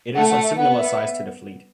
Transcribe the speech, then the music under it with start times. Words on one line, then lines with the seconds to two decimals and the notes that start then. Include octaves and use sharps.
It is of similar size to the Fleet.
0.15 A3 F#5
0.29 F#5
0.43 E5
0.57 B3 F#5
0.78 E5